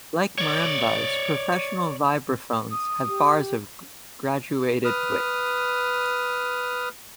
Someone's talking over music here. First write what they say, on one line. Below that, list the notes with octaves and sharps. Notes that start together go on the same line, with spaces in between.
Like marimbas, professional vibraphones have bars of graduated width.
C#5 D5
D#6
G4
B4 D#6 F6